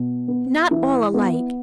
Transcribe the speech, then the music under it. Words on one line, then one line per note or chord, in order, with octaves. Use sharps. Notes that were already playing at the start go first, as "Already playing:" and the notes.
'Not all alike.
Already playing: B2
B3
E3
B3